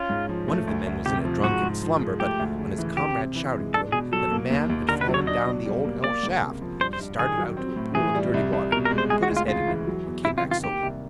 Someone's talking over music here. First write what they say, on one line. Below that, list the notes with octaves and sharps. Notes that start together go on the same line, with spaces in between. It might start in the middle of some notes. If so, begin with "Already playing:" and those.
One of the men was in a drunken slumber, but on his comrade’s shouting to him that a man had fallen down the Old Hell Shaft, he started out to a pool of dirty water, put his head in it, and came back sober.
Already playing: C#4 F4
G#2
F3
A3
D2
D2
C3 G4
F3
G#2 F#4
G#2
F3
G#3
A3 G4
D2
C#3
E3
C4 G4
C3
E3
G#3
D4 A4
B2 G#4
F#3 A4
A#3
D#2
D#2
D3 A#4
B4
F#3
C#5
D4 D#5
B2
G3
A#3
A#3 D5
C#2
C3
F3
G2 C5
C5
G2
D#3 G#4
F#3
C4
A2
E3 G#4
G3
C2
C2
B2 A#4
A#4
G#3
C5
G#3 G#4
F#4
D2
F4
C#3 F4
E3
F#3
E2
C3 E4
F4
D#3
F4
A#3 G4
C2